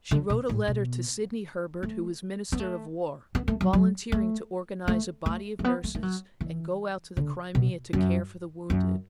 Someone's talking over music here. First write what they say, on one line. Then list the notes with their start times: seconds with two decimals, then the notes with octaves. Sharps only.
She wrote a letter to Sydney Herbert who was Minister of War, volunteering to organize a body of nurses and go out to the Crimea to care for the wounded.
0.11 D3
0.30 B2
0.49 A2
0.68 B2
1.83 A3
2.52 B3
2.59 A3
3.35 B3
3.48 A3
3.61 F#3
3.73 F#3
4.12 A3
4.88 A3
5.26 A3
5.59 A3
5.64 B3
5.84 A3
5.95 A3
6.03 F#3
6.41 E3
7.17 D3
7.55 B2
7.93 F#2
8.70 F#2